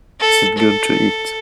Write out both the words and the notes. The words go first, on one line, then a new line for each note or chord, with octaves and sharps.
Is it good to eat?
A4
A4